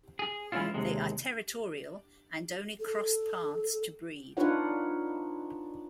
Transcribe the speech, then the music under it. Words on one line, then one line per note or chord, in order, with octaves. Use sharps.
They are territorial, and only cross paths to breed.
G#4
E3 G#3 A3 C#4 E4 F4
D#2 C3 G#3
A4
D4 D#4 F4 B4 C#5 F#5